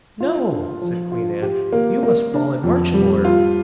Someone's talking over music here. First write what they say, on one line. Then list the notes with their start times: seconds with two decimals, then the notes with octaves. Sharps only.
"No," said Queen Ann, "you must fall in marching order."
0.20 F4
0.51 D4
0.82 F3
1.12 F4
1.42 G4
1.73 A#3
2.03 A#4
2.34 D4
2.63 F2
2.94 G3
3.25 F4